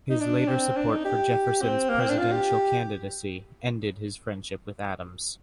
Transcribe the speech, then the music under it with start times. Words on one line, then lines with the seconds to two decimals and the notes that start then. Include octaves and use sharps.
His later support for Jefferson's presidential candidacy ended his friendship with Adams.
0.10 D#4
0.20 D4
0.48 C4
0.76 D4
0.91 D#4
1.04 G4
1.62 C4
1.89 A#3
2.00 C4
2.09 D4
2.18 F4
2.32 G4